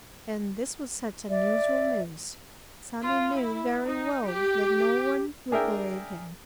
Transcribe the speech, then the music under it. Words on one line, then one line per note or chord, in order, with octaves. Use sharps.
And this was such unusual news. Sammy knew very well that no one would believe him.
D5 E5
F4
E4
D#4
G4
D4 G#4 A#4 E5 G5